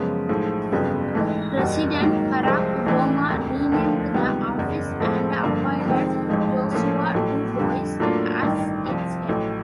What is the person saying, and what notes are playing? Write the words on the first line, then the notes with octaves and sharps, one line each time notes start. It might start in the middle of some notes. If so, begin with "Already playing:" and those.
President Barack Obama renamed the office and appointed Joshua DuBois as its head.
Already playing: F#2 C#3 F3 G#3 B3
B1 A2 F3 G#3
G1 F2 C#3 F#3 B3
A1 G#2 E3 A3
F#1 E2 B2 G3
G#2 D#3 F#3 A#3
C2 C3 F3 G#3 C4
A1 A2 E3 A3 D4
E1 D2 C3
D#2 D3 F3 A3
C#2 C3 D#3 G3 B3
F#1 E2 C#3
A2 F3 G#3 C4
G1 G2 D3 F3 A#3
F2 C3 D#3 G#3 C4
A1 G#2 F3 G#3
A2 F3 A#3 C#4
A1 A2 F#3 A3
F2 D3 G3
A2 F#3 A#3 D4 F4
A1 G2 D#3
C2 C3 F3
A1 A2 F#3